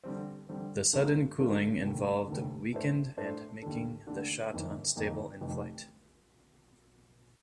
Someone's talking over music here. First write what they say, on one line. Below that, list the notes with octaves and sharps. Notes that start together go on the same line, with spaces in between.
The sudden cooling involved weakened and making the shot unstable in flight.
D3 G3 C4
D3 G3 C4
G2 D3 A3 D#4 A#4
G2 D3 A3 D#4 A#4
F1 D#2 D3
F1 D#2 D3
A2 A3 D4 A4 C5
A2 A3 D4 A4 C5
D#2 D3 A3 D4 A4
D#2 D3 A3 D4 A4
G1 F2 D#3 A#3 D#4
G1 F2 D#3 A#3 D#4
F1 F2 D#3